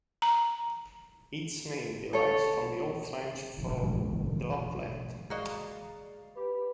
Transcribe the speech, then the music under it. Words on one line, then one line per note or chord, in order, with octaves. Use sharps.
Its name derives from the Old French for "droplet".
A#5
A4 C#5
G#3 A#3 F#4 D5 D#5 F5 A#5
G4 B4